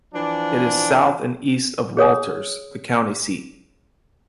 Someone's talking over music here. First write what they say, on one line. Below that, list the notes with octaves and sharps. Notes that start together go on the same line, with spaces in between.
It is south and east of Walters, the county seat.
E3 F3 D4
G#4 C#5 D#6